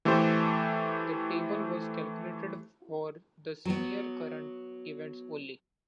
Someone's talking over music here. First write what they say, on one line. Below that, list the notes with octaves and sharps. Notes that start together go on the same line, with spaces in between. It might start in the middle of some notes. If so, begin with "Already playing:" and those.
This table was calculated for the senior current events only.
E3 A3 G4 A4 C5
F#3 B3